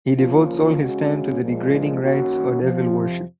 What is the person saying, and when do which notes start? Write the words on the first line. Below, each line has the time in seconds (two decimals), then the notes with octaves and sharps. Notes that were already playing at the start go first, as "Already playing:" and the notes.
He devotes all his time to the degrading rites o devil-worship.
0.17 C#3 F3 A#3 F4
0.79 C#3 G#3 C#4 F#4
1.40 A#2 F3 G#3
2.01 D#3 A#3 C#4 F#4
2.62 F2 C3 F3